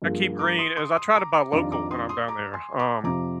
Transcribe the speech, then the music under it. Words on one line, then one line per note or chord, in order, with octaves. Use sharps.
I keep green is I try to buy local when I'm down there, um,
G2 F3 A#3 F4 G#4
A#5 D6
C6 D#6
C6 D#6
C6 D#6
A#5 D6
A#5 D6
F2 D#3 G3 D4 F4 A#5 D6
A#5 D6
C6 D#6
C6 D#6
A#5 D6
G#5 C6
A#5 D6
F2 C3 F3 C4 F4 A#5 D6